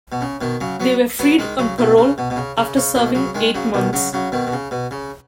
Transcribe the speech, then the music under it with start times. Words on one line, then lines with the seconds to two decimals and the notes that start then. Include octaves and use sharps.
They were freed on parole after serving eight months.
0.12 B2
0.21 C#3
0.41 B2 D#3
0.61 C#3 F#3
0.80 F#3 B3
1.19 F#3 B3
1.39 D#3 G#3
1.59 C#3 F#3
1.78 B2 D#3
1.97 C#3
2.18 B2
2.30 B2
2.36 C#3
2.57 C#3
2.76 C#3
2.95 B2 D#3
3.15 C#3 F#3
3.35 D#3 G#3
3.54 C#3 F#3
3.74 B2 D#3
3.93 C#3 F#3
4.13 C#3 F#3
4.32 B2 D#3
4.47 B2
4.53 C#3
4.71 B2
4.91 C#3